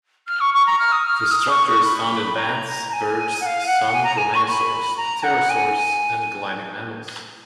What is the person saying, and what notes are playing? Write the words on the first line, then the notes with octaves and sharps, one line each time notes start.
The structure is found in bats, birds, some dromaeosaurs, pterosaurs, and gliding mammals.
F6
C#6
C#6
A#5
F6
D#6
F6
D#6
C#6
C#6
B5
A#5
A#5
G#5
F#5
F5
F#5
G#5
A#5
A#5
G#5
C#6
C#6
B5
A#5
F#5
G#5